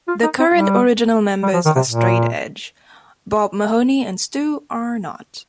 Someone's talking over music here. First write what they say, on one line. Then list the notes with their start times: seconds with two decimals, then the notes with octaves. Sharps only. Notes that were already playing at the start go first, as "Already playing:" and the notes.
The current original members are straight edge; Bob Mahoney and Stu are not.
0.08 F4
0.23 D#4
0.38 C4
0.53 G3
1.43 G3
1.53 F3
1.65 D#3
1.76 C3
1.88 A#2